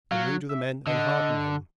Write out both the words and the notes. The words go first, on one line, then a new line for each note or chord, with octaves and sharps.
The mood of the men enheartened him.
F#3 F5
E5
D3 D#5